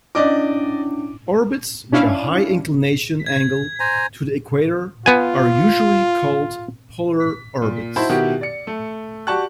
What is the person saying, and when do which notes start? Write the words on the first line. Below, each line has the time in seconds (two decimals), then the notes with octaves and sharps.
Orbits with a high inclination angle to the equator are usually called polar orbits.
0.15 C#4 D4 E4 D5 D#5 D6
1.92 C#4 D4 E4 F5
3.26 G#6
3.80 C5 G#5 A#5
5.06 B3 F4 G#5
7.62 A#2
7.96 D#4 E4 F#4 C5 A5 B5
8.09 B2 D#3 E4 F#4 G4
8.41 D5 C#7
8.67 A3
9.27 F#4 G4 D5 A5 C#6 F#6